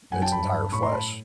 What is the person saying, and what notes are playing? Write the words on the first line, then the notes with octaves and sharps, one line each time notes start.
its entire flesh.
F#2 F#5 G#5
G5 A5
A5 B5
G2
A2 B5 C#6
A#5 C6
A5 B5